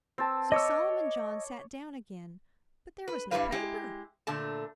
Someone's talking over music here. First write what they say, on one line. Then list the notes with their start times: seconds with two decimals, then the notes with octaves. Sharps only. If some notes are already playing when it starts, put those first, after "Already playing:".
So Solomon John sat down again, but there was no paper.
0.18 C4 A5
0.52 C#5 D#5 D6 E6
3.08 B4
3.31 G2 G3 D#4 E4 B4 F5
3.52 G#3 E4 G4
4.27 A#2 D3 A3 A5